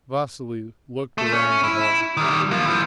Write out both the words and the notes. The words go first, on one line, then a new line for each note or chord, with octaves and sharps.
Vasily looked around at all.
A3
C#4
E4
D#3 G3
F3 A#3
E3 F3